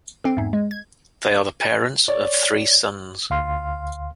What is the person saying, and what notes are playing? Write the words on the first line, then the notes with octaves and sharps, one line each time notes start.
They are the parents of three sons.
D3 C4
E2 G#2
G#3
G#6
C#5 D5
D2 F5 C6 F6